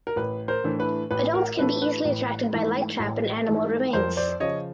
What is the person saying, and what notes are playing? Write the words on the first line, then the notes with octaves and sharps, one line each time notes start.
Adults can be easily attracted by light trap and animal remains.
A#4
A1 B4
A#4 C5
A2 E3 A3 D4
B4
A1 B4
A#4
A2 E3 A3 D4 B4
B4
A1
G#2 E3 A3
A1
G#2 E3 A3
F2 A#4 C5
C5 D5
C#3 F3 C#5 D#5